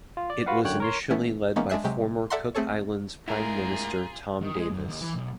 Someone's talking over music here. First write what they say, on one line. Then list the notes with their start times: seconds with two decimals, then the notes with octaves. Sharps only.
It was initially led by former Cook Islands prime Minister Tom Davis.
0.17 F4
0.30 D5
0.46 F4 F#4 B4 F5 F#5
0.64 F#2 D3 C#5 G5 F#6
0.80 A#4 C#5 C6
1.10 E3 A3 B3 C#4 E4
1.56 E3 G#3 A#3 B3 C#4 D#4
1.69 G#3 D4 G#4 E5 F#6 C7
1.84 C3 F#3 G#3 G4
2.30 A4 D5 E5 F#5 A#5 C6
2.55 A3 C4 G#4 A4 C#5
3.28 D2 G#2 G#3 E4 F4 G#4 A#4 A#5
4.42 D#3
4.55 G#3
4.71 F#2
4.88 D#2
5.01 E3
5.15 B1